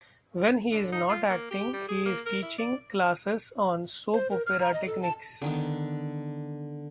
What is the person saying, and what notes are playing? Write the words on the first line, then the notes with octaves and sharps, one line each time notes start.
When he is not acting, he is teaching classes on soap opera techniques.
D3
D#4
F4
A#3
G4
G3
G#4
A#3
A#4
E4
D5
C5
A#4
F6
A#5
D#5
A4
A5
D3 D#3 B3